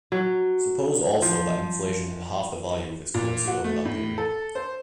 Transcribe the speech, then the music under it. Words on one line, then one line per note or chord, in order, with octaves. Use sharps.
Suppose also that inflation had halved the value of its currency over that period.
F#3
F3
A#2
F#4
A3
A2
A4
C5